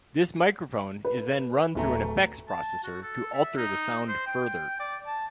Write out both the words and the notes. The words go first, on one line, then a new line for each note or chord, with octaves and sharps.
This microphone is then run through an effects processor to alter the sound further.
B4
D1 A3 A#5
A5
F#4
A4
E5
D#4
C5
G5
D5
A5